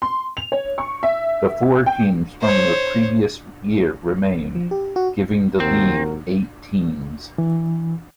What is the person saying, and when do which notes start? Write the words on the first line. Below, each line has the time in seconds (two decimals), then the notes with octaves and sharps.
The four teams from the previous year remained, giving the league eight teams.
0.02 C6
0.37 F7
0.52 C#5
0.78 C#6
1.03 E5
1.86 G5
2.41 C5 C#5
4.55 F3
4.71 G4
4.96 F#4
5.60 D#2 G#2 C4 F#4 A#4
7.38 E3